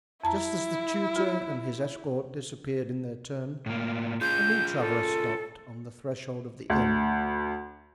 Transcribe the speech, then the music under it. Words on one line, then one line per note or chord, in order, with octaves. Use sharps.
Just as the tutor and his escort disappeared in their turn, a new traveler stopped on the threshold of the inn.
F2 E4 A5 A#5
F4
A2 A#3
F4 G#4 G6
A4
D2